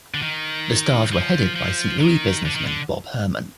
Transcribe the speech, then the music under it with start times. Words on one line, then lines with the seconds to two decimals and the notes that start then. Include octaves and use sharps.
The Stars were headed by Saint Louis businessman Bob Hermann.
0.14 D3
0.22 D#3
1.12 F3
1.56 F3
2.00 D#3
2.45 D3
2.56 D#3
2.66 D3